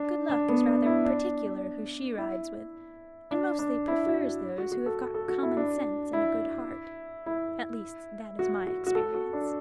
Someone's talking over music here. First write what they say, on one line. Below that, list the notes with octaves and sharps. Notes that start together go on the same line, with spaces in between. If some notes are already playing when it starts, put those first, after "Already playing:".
"Good Luck is rather particular who she rides with, and mostly prefers those who have got common sense and a good heart; at least that is my experience."
Already playing: D4
D4
B3
D4
E4
D4
E4
D4
D4
E4
F#4
F#4
F#4
A4
A4
F#4
E4
D4
E4
E4
F#4
F#4
F#4
A4
F#4
D4